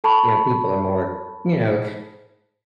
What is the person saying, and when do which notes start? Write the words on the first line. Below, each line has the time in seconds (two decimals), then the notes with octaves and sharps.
You know, people are more, you know?
0.04 A4 A5 B5 C#6